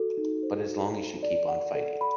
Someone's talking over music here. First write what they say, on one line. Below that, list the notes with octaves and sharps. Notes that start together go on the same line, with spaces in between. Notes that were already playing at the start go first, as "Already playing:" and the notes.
But as long as you keep on fighting.
Already playing: F#4 A4
D#4
C5
F#4
A4
D5
F#5
A4
B5